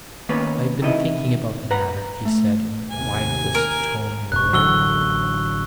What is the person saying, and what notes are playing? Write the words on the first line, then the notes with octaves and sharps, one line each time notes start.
"I have been thinking about the matter," he said, in the quietest tone in the world.
D#3 A#3 B3 C#4 B4 C#5
C3 D#3 E4 D#5
B4 F#5 A#5
A3
D#2 C3 G#5
A#4
E1 C#6 F#6
A1 D3 F#3 C#6 E6 G7